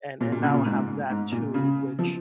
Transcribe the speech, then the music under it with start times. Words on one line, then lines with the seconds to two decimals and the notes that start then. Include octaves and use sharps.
and and now I have that too, which
0.21 A#2
0.32 A#2
0.43 C#3
0.54 A#2
0.65 G#2
1.10 G#2
1.32 A#2
1.54 C#3
1.99 F3